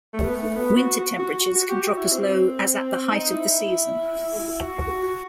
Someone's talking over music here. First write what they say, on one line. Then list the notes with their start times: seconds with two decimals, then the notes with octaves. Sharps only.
Winter temperatures can drop as low as at the height of the season.
0.13 A3
0.24 B3
0.35 A3
0.56 B3
0.77 F#4
0.98 F#4
1.19 F#4
1.40 F#4
1.55 F#4
1.69 G4
1.83 F#4
1.98 E4
2.12 C4
3.11 D#4
3.32 E4
4.39 E4
4.61 F#4
4.81 F#4
5.03 F#4